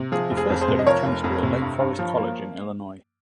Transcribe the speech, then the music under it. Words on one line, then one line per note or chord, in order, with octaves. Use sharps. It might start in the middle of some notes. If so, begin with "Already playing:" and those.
He first studied chemistry at Lake Forest College in Illinois.
Already playing: C3
F3 G#4
F1
G#4
F2
G#4 C5
C3
D#5
F3 A#4 C#5
F1
F2
C3
G2
G2
F3
A#3